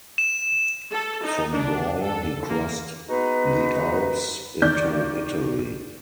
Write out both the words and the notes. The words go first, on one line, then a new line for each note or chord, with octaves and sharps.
From Gaul he crossed the Alps into Italy.
E7
A4
D#4
D4
A4
A#3
G#3 B3 D#4 F#4 B4
D#3 D5 G6